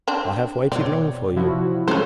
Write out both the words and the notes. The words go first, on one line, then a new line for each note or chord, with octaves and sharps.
I have waited long for you.
C4 D4
B2 C4 C#5 D5
C3 F3 E4 F#4
F3 G#3 C#4 F4 A4 C5